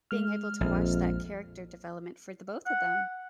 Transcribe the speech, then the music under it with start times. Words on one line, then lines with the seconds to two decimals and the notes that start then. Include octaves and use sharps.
being able to watch that character development for the both of them
0.11 G#3 F6
0.61 A#1 F2
2.66 F#5